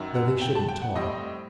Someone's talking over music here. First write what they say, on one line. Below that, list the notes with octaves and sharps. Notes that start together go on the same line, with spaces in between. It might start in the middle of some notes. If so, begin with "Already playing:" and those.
Though they shouldn't talk.
Already playing: F#2 D#3 F#3
F#5
G5
A5
G5
F#5
A2 G3 C4 D#5